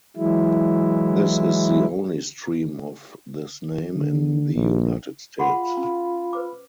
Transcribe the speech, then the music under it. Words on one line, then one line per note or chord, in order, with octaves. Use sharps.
This is the only stream of this name in the United States.
E3 F#3 G#3 E4
D3
A#1
F4 G#4 F#5 B5 C6
C#4
B4 C5 D6